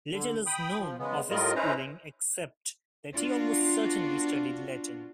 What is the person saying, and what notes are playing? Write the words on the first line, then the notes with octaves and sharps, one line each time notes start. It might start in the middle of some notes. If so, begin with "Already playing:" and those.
Little is known of his schooling except that he almost certainly studied Latin.
D3
G5 B5 D#6
F3
C#3 G#3 B3
A2 G3 F4 A#4 D#5
C#4 D#4 E4 B4 C5 A#5
B3 D4 F4 F#4